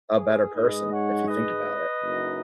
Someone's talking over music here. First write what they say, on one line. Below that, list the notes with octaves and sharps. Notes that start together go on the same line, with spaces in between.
a better person, if you think about it.
G#4
G#2 G#3 D#4 B4 D#5
C#5 F#5
B4 D#5
F#1 F#2 F#3 D#4